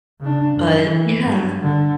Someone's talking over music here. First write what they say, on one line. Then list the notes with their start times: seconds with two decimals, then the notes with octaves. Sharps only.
but yeah.
0.20 C#3 D4
0.56 F#2
0.86 E3
1.23 G2
1.63 D3